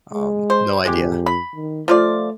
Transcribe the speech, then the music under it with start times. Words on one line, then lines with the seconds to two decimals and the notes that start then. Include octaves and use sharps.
Um, no idea.
0.12 G#3
0.50 C5
0.85 F2 G#3 G4
1.26 B5
1.55 D#3
1.88 F3 A3 F4 D5